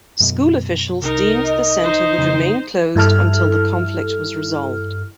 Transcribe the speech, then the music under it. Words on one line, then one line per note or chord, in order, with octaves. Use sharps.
School officials deemed the center would remain closed until the conflict was resolved.
F#2 B2
C2 D#4 A#4
D#5
D#4 C5
F2 C#3
G2 E4 A4 F6